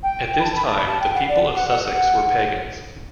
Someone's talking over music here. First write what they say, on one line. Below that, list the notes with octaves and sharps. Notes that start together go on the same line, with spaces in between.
At this time the people of Sussex were pagans.
G5
B5
A5
B5
A5
B5
A5
G5
F#5
D5
F#5
F#5